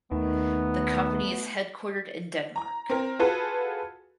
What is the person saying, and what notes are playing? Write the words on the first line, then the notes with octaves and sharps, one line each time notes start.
The company is headquartered in Denmark.
D#2 D#3 A3 B3
A#5
C4 A#4
F4 F#4 G#4 A4 B4